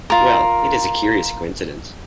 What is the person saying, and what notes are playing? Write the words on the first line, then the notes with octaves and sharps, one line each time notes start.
Well, it is a curious coincidence.
F4 A#4